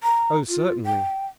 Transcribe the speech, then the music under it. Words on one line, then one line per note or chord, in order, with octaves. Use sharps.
"Oh, certainly."
A#5
F4
G5